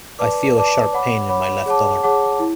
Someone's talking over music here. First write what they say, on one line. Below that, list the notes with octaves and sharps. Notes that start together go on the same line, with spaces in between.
I feel a sharp pain in my left arm.
B4 D5 A5 D6
B4 D5 A5 D6
C#5 F#5 B5 D6
C#5 F#5 B5 D6
G#4 C#5 F#5 A5 D6
G#4 C#5 F#5 A5 D6
E4